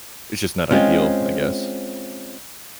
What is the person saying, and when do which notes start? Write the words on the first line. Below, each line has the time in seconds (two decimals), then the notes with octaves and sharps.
it's just not ideal, I guess.
0.71 G#3 C4 C#4 F4